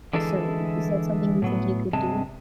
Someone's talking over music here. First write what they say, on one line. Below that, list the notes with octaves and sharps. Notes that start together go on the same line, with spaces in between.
So is that something you think you could do?
D3 E3 G#3 E4 G#4 A4
A2 F#3 B3
G2 C3 G#3 A5